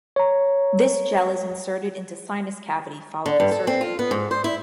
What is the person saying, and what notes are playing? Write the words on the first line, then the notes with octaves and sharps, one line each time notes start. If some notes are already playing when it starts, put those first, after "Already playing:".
This gel is inserted into sinus cavity following surgery.
C#5 A#5
D3
G2
A4
C4
F4
B3
G#2
C5
E4